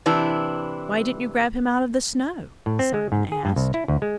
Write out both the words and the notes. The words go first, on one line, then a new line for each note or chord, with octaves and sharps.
"Why didn't you grab him out of the snow?" Simon asked.
C3 E3 D4 E4
A2
C4
G#3
G#2
G#4
G2
C2
E4
D2
G#3